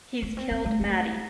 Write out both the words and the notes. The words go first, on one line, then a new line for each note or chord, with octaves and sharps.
He's killed Maddie.
A3
C4
C4
A3
A3